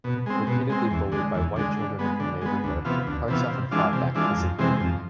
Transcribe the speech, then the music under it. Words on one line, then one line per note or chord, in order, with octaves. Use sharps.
Repeatedly bullied by white children in her neighborhood, Parks often fought back physically.
B2
G#3 C4
B2
G#3 C4
E2
D3 G#3
E2
D3 G#3
D3
G#3 B3
D3
G#3 B3
D2
C3 E3 B3 F4
D2
C3 E3 B3 F4
C3
E3 G#3 D4 F4
C3
E3 G#3 D4 F4
F2
C3 E3 G#3 C4
F2